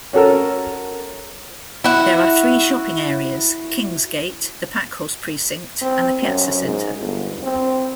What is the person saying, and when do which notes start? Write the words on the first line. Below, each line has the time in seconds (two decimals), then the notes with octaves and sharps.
There are three shopping areas: Kingsgate, The Packhorse Precinct and The Piazza Centre.
0.13 C#4 F#4 A4 A#4
1.84 E4 F#4
5.82 C4
6.23 F#2
6.64 G#2
7.00 G1
7.43 C4